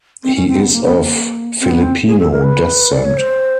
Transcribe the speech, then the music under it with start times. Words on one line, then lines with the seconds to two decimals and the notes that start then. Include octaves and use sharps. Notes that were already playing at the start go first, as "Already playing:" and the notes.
He is of Filipino descent.
0.23 C4
0.36 C#4
0.48 C4
0.60 B3
0.73 A#3
0.85 B3
0.97 A#3
1.61 C4
1.71 B3
1.83 C4
2.08 G#4
2.19 A4
2.32 A#4
2.44 B4
2.92 D5
3.05 C#5
3.17 C5